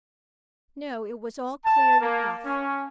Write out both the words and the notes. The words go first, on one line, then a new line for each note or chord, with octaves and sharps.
No, it was all clear enough.
A5
A#3
C#4